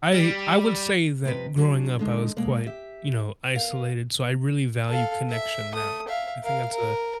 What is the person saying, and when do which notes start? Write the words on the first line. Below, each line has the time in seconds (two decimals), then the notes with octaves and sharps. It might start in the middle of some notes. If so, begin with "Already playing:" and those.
I I would say that growing up, I was quite, you know, isolated, so I really value connection now. I think that's a
0.14 G3
1.25 F2 C3 D4 E4 B4 D#5
1.57 F#3 D4 G#4
1.99 D3 G#3 D#4
2.37 B2 G#3 A#3 D5
2.66 G4 E5
3.55 B3 A#4 F5
4.89 A4 F5
5.30 E5
5.73 A3 D#6
6.08 E5 F5
6.43 A#4 F5
6.72 A#4